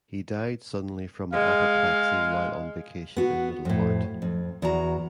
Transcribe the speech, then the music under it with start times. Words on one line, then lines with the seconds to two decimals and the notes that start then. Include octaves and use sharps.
He died suddenly from an apoplexy while on vacation in Middelfart.
1.33 G#3 F5
3.16 B3 F#4
3.65 F2 A2
4.22 F2
4.62 E2 F#4 A#5